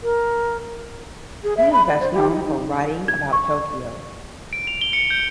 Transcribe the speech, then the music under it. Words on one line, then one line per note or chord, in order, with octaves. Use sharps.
He is best known for writing about Tokyo.
A#4
G#4
E5
B5
D5
C5
G4
D#4
D#4
G#6
C#6
D7
F7
G7
C#7
G6